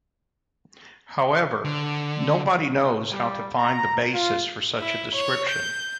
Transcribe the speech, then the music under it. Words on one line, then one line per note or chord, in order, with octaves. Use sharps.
However, nobody knows how to find the basis for such a description.
D3
G3
A#5
F4
E4
C#5
G6